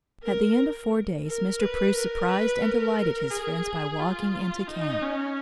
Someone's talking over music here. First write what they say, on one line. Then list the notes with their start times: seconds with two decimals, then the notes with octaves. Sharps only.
At the end of four days, Mr. Preuss surprised and delighted his friends by walking into camp.
0.23 A#4
1.26 A#4
1.60 B4
1.93 A#4
2.28 B4
2.62 A#4
3.31 G#4
3.99 F4
4.67 D#4
5.02 C#4